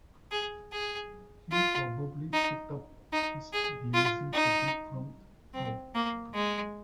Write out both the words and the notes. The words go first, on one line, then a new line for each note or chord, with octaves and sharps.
He probably picked up his glazing technique from Pyle.
G#4
G#4
F4
D#4
D#4
G#4
F4
D#4
C4
A#3
G#3